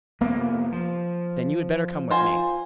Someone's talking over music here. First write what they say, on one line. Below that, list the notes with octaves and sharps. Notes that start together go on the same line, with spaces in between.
"Then you had better come with me."
F1 A#3 B3
F3
F4 C5 G#5